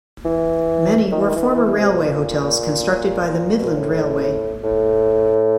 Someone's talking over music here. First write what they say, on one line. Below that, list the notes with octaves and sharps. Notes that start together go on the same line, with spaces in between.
Many were former railway hotels constructed by the Midland Railway.
E3
D#3
E3
D#3
E3
D#3
E3
C3
B2
A#2
B2
A#2
A2
A2